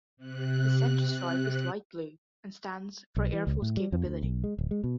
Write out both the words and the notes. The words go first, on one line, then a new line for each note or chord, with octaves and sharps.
The center stripe is light blue and stands for Air Force capability.
C3 F#6
B1
E3
C#2
A2
G3
F2
D2
B1
G#3
D1
G#3
B2